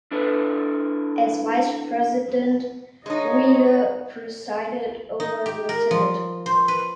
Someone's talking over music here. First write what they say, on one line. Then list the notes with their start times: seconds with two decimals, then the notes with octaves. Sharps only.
As Vice President, Wheeler presided over the Senate.
0.11 D4 E4 A4 B4
3.06 G#3 D#4 C#5 D#5
5.20 D#4
5.46 G4
5.69 A#4
5.91 F3
6.46 C5
6.68 B4